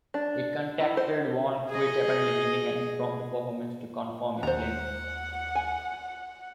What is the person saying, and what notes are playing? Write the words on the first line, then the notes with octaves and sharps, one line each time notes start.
He contacted Wernquist, apparently giving an impromptu performance to confirm his claims.
D4
E4
C5
G#4 D#5
D#2 C5 F#5 A#5
G#5